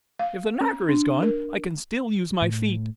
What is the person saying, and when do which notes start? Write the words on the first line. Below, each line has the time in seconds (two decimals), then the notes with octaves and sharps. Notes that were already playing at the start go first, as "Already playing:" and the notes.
"If the knocker is gone, I can still use my feet."
0.19 F5
0.61 C#4
0.89 D4
1.22 A#4
2.42 A2